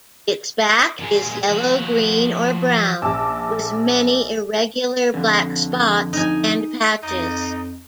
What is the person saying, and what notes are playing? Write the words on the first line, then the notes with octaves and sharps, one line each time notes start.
Its back is yellow, green, or brown, with many irregular black spots and patches.
A#2 G#3
F3 F#4
A#1 A5 D6 E6
F2 D3
D#4 G#5
F2 D#4